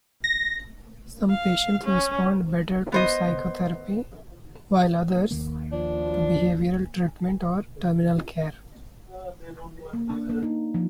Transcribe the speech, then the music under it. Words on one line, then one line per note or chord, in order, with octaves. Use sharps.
Some patients respond better to psychotherapy, while others to behavioral treatment or terminal care.
A#6
F5
C#4
B3 C5 D#5
D#2 D#3 A#3
F3 D4
A#3
D4
A#3
D#4
F3